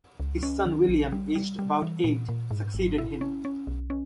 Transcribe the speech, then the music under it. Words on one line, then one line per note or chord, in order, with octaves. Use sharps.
His son William, aged about eight, succeeded him.
C#2
C#4
D#3
A#1
G3
G3
G3
E3
A#2
A#2
G#2
G#1
E4
C#4
C#4
B1
C#4